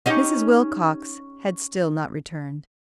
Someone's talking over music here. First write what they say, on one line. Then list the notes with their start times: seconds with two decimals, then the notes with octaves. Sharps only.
Mrs. Wilcox had still not returned.
0.06 C#4 D#4 G4